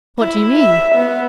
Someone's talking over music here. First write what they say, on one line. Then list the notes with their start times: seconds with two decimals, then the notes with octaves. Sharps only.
"What do you mean?"
0.20 E4
0.60 E5
0.95 B3